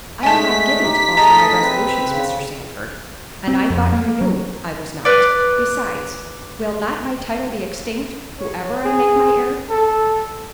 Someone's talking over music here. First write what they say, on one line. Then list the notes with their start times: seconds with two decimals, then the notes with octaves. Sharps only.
I am not given to alter my resolutions, Mr. Sandford; and I thought you knew I was not; besides, will not my title be extinct, whoever I make my heir?
0.23 G#3 A3 G#5 A5 B6
0.82 D#4 G4
1.17 A3 D#4 G#4 D#5 A5 A#5
1.61 C4 B4
2.07 C#3
3.48 C4
3.70 F2
3.92 A#3
4.21 F#3
5.05 B4 D5
8.40 C#5
8.85 G#4
9.70 A4